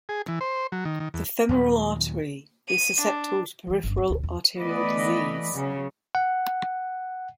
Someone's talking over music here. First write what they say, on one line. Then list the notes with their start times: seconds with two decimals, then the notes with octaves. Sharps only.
The femoral artery is susceptible to peripheral arterial disease.
0.09 G#4
0.28 E3
0.41 C5
0.72 F#3
0.85 D#3
1.00 D#3
1.14 E2
1.49 D#2 A#2 D#3 F#3
2.69 D#7
3.01 D4
3.67 E2 E3
3.84 G1 F#2
3.97 C4
4.10 D#1 D2
4.24 E2
4.58 E3 A3 B3 B4 D5 D#5
5.52 C#3 F#3
6.15 F#5